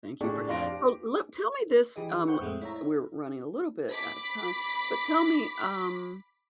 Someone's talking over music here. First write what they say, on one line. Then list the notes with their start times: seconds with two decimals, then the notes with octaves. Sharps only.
Thank you for So, look tell me this, um we're running a little bit out of time but tell me, um,
0.21 A2 D4 G4 G#4 C#6
0.48 F2 D4 F5 C6 A#6 D7
0.66 G4
1.96 E3 G4 G#4 D#5
2.27 B4 C5 F#5 G5 C#6
2.40 F2 A2 G#3 A3 C4
2.62 E4 C#5 E5 A#5
3.90 B5 D6 B6